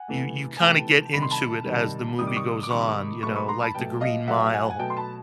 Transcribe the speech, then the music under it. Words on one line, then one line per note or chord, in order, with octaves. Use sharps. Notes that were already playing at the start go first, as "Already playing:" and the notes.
you you kinda get into it as the movie goes on, you know, like The Green Mile,
Already playing: F#5 G#5
C3 E3 A3
G#5
C3 E3 A3 G5 A5
C3 D#3 G3 B5
C6
A5 B5
C3 D#3 G3
C3 D#3 G3 D#6
D6
C#6 D#6
D6
C3 D#3 G3 B5 C#6
B2 F#3 A3 B5 C#6
B5 C#6
A#5 C6
A5 B5
B2 F#3 A3 G5 A5
D#5 F5
B2 F#3 A3 E5 F#5
F#5 G#5
G#5
B2 F#3 A3 G5 A5
C6
A5 B5